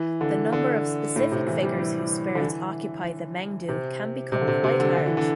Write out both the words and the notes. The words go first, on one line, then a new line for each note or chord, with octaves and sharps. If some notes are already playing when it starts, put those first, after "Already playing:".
The number of specific figures whose spirits occupy the "mengdu" can become quite large.
Already playing: E3
D3
D3
A2
C3
E3
G3
E3
D3
E3
C3
C3
D3
C3
C3
D3
D3
E3
D3